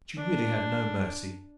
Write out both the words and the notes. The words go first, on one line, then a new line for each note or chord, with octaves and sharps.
But you really have no mercy.
D4